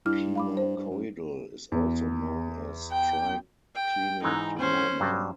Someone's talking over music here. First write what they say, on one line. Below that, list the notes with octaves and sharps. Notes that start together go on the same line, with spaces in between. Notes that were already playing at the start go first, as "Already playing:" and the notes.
Pinacoidal is also known as triclinic normal.
G2 E4 F6
F5 B5 D6
C5
G2
F#2
E2
G5
G5
G#2 E3 G#3 D#4
C#4 C5
G2 F#3 G3